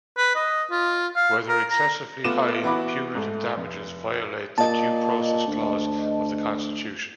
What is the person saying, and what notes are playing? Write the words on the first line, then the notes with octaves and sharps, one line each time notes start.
Whether excessively high punitive damages violate the Due Process clause of the Constitution.
B4
D#5
F4
F5
A#4
A#5
A3 B3 F4 D6 E7
E3 B3 E4 F#4 B5 D6
G#2 A3
F1
A#2 D#5 A5
D2